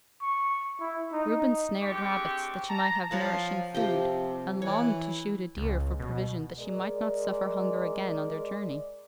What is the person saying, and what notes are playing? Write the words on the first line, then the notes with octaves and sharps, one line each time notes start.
Reuben snared rabbits, that she might have nourishing food, and longed to shoot a deer for provision, that she might not suffer hunger again on their journey.
C#6
E4
D#4
G#3 C4 D4 G4 C#6
A5 A#5
F3 C#5 F#5 A5
C3 F3 G4 G5
E3 C#5
C#2
B2
G#3 A#4 D5